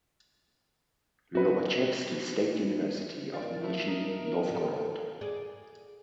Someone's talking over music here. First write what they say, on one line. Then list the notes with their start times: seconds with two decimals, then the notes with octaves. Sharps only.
Lobachevsky State University of Nizhny Novgorod.
1.35 F#4 B4
3.33 G2 A#4 D5 F5
3.61 A3 E4
3.88 D#4
4.51 F4 A4
5.21 G#4 D5